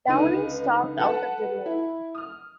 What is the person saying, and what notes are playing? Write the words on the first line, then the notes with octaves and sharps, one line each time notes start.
Downing stalked out of the room.
C#2 D3 D#4 B4 D#7
A4 B4 F#5 A5
E4
D#6 F6